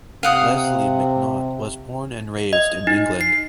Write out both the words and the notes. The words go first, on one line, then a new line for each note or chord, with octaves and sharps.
Lesley McNaught was born and raised in England.
C3 F5 F#5 D#6
D#5
D#4
C7